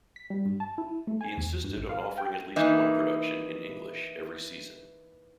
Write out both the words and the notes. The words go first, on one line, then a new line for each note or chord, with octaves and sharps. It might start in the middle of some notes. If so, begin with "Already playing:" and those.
He insisted on offering at least one production in English every season.
B6
G3
G2
A5
E4
A3
G#5
E2
G2
A1
F5
G5
E3 A#3 D#4 E4